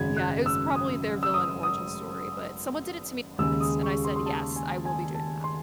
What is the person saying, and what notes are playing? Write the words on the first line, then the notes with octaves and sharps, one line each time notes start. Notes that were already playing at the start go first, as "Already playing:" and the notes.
Yeah, it's probably their villain origin story, but someone did it to me worse and I said yes, I will be doing that.
Already playing: G#1 F#2 C#3 F#3 G#6
F#6
E6
D#6
E6
D#6
D#6
D#2 C#3 G#3 E6
D#6
C#6
C6
C6
A5
G#5
G#5
A5
C6